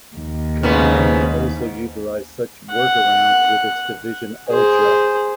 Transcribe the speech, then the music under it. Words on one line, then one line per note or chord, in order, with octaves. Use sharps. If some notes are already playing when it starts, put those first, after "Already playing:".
Konami also utilized such workarounds with its division Ultra.
D#2
G#2 C#3 B3
F#5
G#4 C5